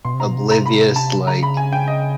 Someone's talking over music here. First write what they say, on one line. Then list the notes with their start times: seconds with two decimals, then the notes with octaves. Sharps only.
oblivious, like
0.05 B2 C6
0.14 C3
0.20 B2 A#5
0.36 C3
0.51 A#5
0.66 B5
0.96 A5
1.27 C#3 A#5
1.43 B5
1.57 G#5
1.73 G5
1.88 D#5